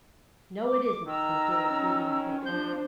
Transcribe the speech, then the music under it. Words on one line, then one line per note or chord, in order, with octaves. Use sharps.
'No, it isn't,' said Dick, wheeling quickly.
D6
D#3 A#5 E6
C#4
F3 D4 C5 G6